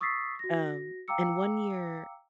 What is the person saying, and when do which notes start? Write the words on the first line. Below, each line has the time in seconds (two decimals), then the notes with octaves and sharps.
Um, and one year,
0.01 C#6 D#6 E6 A6 B6 C7
0.39 F#4 A#6
1.08 F5 G5 A#5 D6 E6 C#7